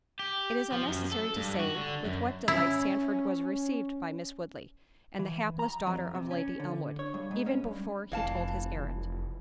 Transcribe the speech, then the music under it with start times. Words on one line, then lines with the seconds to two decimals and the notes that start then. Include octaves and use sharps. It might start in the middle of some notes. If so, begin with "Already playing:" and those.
It is unnecessary to say with what delight Sandford was received by Miss Woodley, and the hapless daughter of Lady Elmwood, even before he told his errand.
0.19 G4
0.72 F3
0.88 F#2
1.12 A4
1.36 G2
1.59 F#4
1.76 D3
2.04 F#2
2.48 C#4 E4
5.19 E3
5.59 A#5
5.87 F2
6.15 C3
6.31 C#4
6.60 D3
6.99 C#5
7.14 G2
7.31 G#2
7.46 C#4
7.64 G2
8.12 F1 E3 F5 A5